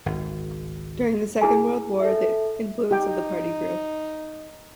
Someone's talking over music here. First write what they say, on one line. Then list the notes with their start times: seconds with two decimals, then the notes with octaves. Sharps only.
During the Second World War the influence of the party grew.
0.06 G#1 C#2
1.41 E4 G#4 G#5
2.00 A4 E5
2.91 D#4 G4 G5